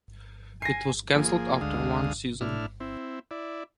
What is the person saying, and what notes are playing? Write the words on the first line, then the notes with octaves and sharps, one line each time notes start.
It was cancelled after one season.
G#5 A#6 C7
F3 A#3 G#4
D2 D3 G#3 F5 D#6
A2 D4 E4 F6
C4 E4
E4 D5